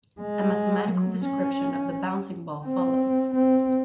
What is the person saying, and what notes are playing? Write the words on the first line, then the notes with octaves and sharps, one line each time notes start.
A mathematical description of the bouncing ball follows.
G#3
F#3
C#4
C4
C4